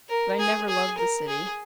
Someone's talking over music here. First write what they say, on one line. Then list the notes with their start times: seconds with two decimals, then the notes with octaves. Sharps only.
But I never loved the city.
0.09 A#4
0.39 G#4
0.68 G#4
0.98 A#4
1.28 G#4